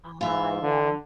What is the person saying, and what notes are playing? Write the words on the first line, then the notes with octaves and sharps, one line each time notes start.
Ah, yeah.
G#2 F4 E5
D3